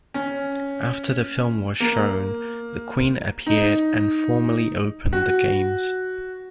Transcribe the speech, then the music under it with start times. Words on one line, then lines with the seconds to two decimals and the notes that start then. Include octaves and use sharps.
After the film was shown, the Queen appeared and formally opened the Games.
0.14 C#4
1.80 A#3
3.46 D#4
5.13 F#4